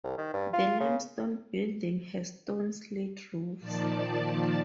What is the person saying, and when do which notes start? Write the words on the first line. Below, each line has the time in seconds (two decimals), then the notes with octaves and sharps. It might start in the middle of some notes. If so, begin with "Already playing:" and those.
The limestone building has stone slate roofs.
0.04 C2
0.18 D#3
0.34 G2
0.53 F4
0.80 C#3
3.60 A#2 D#3 F3 D5 A5